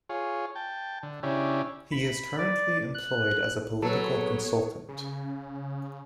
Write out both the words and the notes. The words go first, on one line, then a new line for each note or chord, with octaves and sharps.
He is currently employed as a political consultant.
F4 G#4 C#5
G5 A5
D3
C#3 C#4 D4 E4 G4
B5
D5
F#6
F#3 B3 G#4 A4 B4 C#5
C#3